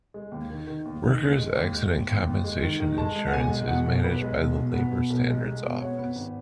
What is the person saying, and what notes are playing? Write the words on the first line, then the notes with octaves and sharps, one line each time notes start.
Workers' accident compensation insurance is managed by the Labor Standards Office.
G#3
D#2
D#3
D#3
D#2
D#3
D#2
G#3
D#2
G#3
D#2
D#2
D#2
G#3
D#3
D#3
G#3 A5
G#3
F#5
B1 G#5
G#3
B2 F#5
B1
B1 B4
G#3
B1
B2
B3
B2
B1
G#3
G#3
B2
B3 C#5
B3
G#1